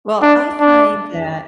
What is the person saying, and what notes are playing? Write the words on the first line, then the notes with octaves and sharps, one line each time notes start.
Well, I find that
D4
D4